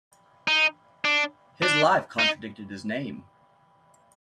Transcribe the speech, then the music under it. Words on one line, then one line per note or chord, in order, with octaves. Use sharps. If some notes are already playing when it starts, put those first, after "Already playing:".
His life contradicted his name.
D#4
D4
D4
D#4